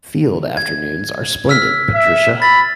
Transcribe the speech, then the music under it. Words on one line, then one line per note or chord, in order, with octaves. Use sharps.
Field afternoons are splendid, Patricia.
G#6
E6 F6 B6
E5
B5 A6